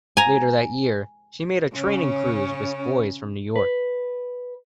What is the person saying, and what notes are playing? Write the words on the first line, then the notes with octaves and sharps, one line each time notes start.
Later that year, she made a training cruise with boys from New York.
G#5 A#5
C#3 C#4
B4